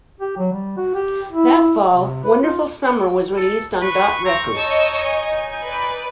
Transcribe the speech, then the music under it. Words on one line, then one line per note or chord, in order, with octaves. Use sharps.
That fall, "Wonderful Summer" was released on Dot Records.
G4
F#3
G3
F#4
G4
E4
C3
B4
F4
A4
B4 C#6
C4 A#5
D#4 C#5 D#5 A5 E6
G#5
B4 D5